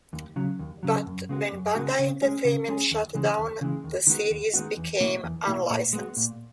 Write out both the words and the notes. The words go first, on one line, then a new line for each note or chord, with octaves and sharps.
But, when Bandai Entertainment shut down, the series became unlicensed.
D#2
C#3 F#3
D#2
C#3 F#3
F#2
C#3 G#3 B3 F#4
F#2
C#3 G#3 B3 F#4
C#3
G#3 C#4 G#4
C#3
G#3 C#4 G#4
D#2
C#3 E3 G#3
D#2
C#3 E3 G#3
D#2
D#3 G#3 B3 F#4
D#2
D#3 G#3 B3 F#4
E2
B2 A#3 E4
E2
B2 A#3 E4
A#2
G#3 B3 F#4
A#2